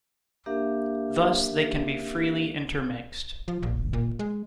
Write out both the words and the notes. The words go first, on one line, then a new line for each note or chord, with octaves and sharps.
Thus, they can be freely intermixed.
A#3 D4 G4 A#4 E5 F5
F3
A#1
A#2
G#3